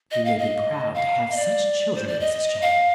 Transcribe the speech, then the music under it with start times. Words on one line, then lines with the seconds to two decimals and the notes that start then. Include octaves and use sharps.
"You may be proud to have such children, Mrs. Channing."
0.11 D#5
0.25 F5
0.38 D#5
0.95 F5
1.31 D#5
1.36 D5
1.95 C5
2.07 D5
2.20 D#5
2.62 F5